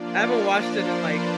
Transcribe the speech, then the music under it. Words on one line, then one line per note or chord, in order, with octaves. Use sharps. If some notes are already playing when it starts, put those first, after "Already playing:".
I haven't watched it in, like,
Already playing: F3 A#3 D4 F4 D5
C5
B4